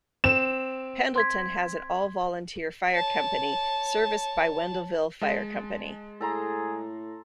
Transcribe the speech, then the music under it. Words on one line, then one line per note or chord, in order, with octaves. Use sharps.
Pendleton has an all-volunteer fire company serviced by Wendelville Fire company.
C4 E7
C6 G#6 B6
C#5 A5
G#3 A5
A2 G#4 A4 A#5 C6